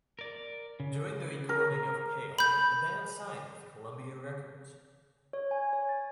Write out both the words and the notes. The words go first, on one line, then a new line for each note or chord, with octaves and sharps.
During the recording of "Pale", the band signed with Columbia Records.
A#4 D5
C#3
A#4
B5 G6
C#5
G#5
C#5
A6